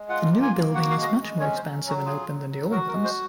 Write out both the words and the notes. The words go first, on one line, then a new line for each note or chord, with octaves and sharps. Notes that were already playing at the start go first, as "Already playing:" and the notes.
The new building is much more expansive and open than the old ones.
Already playing: G#3
F4 F#5
A#3
G#5
A#3
F#4 F#5
F5
G#3
D#5
F5
G#3
D#5
C#4 C#5
C5
F#3
F#3
F#4
F4 G#4
F#3
F#3
F#4 A#4
A#4
G#3
C5